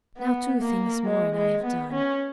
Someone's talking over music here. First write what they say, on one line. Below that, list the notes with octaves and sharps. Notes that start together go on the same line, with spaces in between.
Now two things more, and I have done.
B3
A#3
G#3
G#3
B3
C#4